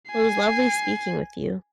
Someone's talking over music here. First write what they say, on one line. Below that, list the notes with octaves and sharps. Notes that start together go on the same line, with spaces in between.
Well, it was lovely speaking with you.
G#5 C7